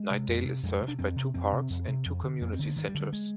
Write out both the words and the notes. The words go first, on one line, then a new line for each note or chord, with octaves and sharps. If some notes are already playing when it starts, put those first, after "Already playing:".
Knightdale is served by two parks and two community centers.
Already playing: G#3
C3
F2
C3
F2 G#3
C3
D4
F2 C4
C3
F2 C4
C3
F2
C3
F2
D3
F2 A#3
C4
D3
A#3
G2 D#3
G3
D3
G3
G#3